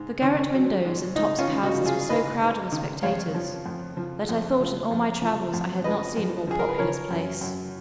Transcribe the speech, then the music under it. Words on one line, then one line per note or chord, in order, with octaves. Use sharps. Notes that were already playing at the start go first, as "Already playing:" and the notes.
The garret windows and tops of houses were so crowded with spectators, that I thought in all my travels I had not seen a more populous place.
Already playing: G#2
D#3 C#4
F#3
G#2
G#2 D#4
C#4 F4
D#3
D#4 F#4
F#3
F4 G#4
G#2 B4 D#5
G#2
D#3
F2 C#5 F5
F3
F2
F3
F2
F3
F2
F3
F2
F3 B4 D#5
F2
F3 G#4
A#4
B4
F3 A#4 C#5
F#2
F#2